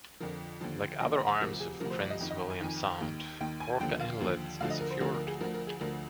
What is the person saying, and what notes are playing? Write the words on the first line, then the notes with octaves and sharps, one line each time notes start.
Like other arms of Prince William Sound, Orca Inlet is a fjord.
F2 D3 F3 A#4
D#2 D3 F3
D#2 D3 F3 D#5
D#5
D#5
D2 C3 F3 A#4
G#4
D2 C3 F3 A#4
C5
D5
D#5
F2 D#3
D#5
G#5
F2 D#3
D#2 D#3
D#2 D#3 G5
G#5
D#2 D3 F3 G5
F5
D#2 D3 F3
D2 D3 F3 F5
D#5
A#4
C5
D2 D3 F3 A#4
A#4
G#4
D2 D3 F3 A#4
A#4
G#4
D2 D3 F3 A#4